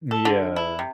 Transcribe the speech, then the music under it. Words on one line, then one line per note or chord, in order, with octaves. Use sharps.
M yeah.
A4
D3
E4
C3